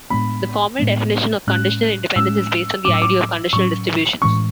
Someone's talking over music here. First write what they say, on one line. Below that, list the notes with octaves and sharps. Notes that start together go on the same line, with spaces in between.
The formal definition of conditional independence is based on the idea of conditional distributions.
A2 G#3 B3 D4 B5
A2 G#3 B3 D4
A2 G#3 C#4 F#6
A2 G#3 C#4 E6
A2 F#3 C#4 D6
E6
D6
A2 F#3 C#4 C#6
A2 E3 G#3 C#4 C#6